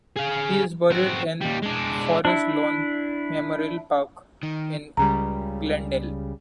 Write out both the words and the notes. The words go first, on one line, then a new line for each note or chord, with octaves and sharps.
He is buried in Forest Lawn Memorial Park in Glendale.
G#4 F5
C4 F#4
D#2 G3
G#3 D4
D4 E4
D#3
C#2 C#3 G3 A#5